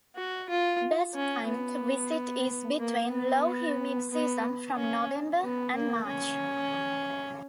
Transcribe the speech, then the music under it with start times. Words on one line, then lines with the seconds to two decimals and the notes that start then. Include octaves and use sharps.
Best time to visit is between low humid season from November and March.
0.16 F#4
0.49 F4
1.15 C#4
1.48 B3
2.79 A#3
3.12 B3
4.11 B3
4.75 C#4
5.41 B3
5.74 A#3
6.07 C#4